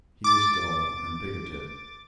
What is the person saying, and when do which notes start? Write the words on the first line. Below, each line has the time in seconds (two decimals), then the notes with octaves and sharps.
He was dull and bigoted.
0.24 D6 A6